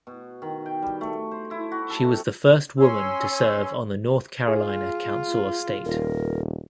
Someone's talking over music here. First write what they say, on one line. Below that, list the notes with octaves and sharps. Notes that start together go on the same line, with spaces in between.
She was the first woman to serve on the North Carolina Council of State.
B2
D#3
G5
G3
A3
C5
E4
F#4
A4
C3
C#4 G#5 C6 E6
F4 G#4
D#1 A#4